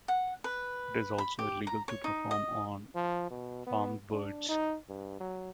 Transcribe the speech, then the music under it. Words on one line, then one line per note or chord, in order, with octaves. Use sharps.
It is also illegal to perform on farmed birds.
F#5
B4
B5
G4
A#5
C#5
D#4
D#5
F3
B2
B3
D4
D#4
G2
F#3